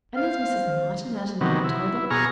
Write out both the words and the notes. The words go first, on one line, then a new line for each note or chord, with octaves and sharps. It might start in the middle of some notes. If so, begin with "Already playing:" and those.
And there's Mrs. Martin out in Manitoba.
C5 F5
C3 D#3 F#3 B3
E4
B2 G#4 A#5 C#6 F6